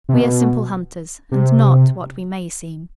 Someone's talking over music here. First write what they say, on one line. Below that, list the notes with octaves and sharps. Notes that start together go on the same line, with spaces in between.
We are simple hunters, and not what we may seem.
C3
B2
C3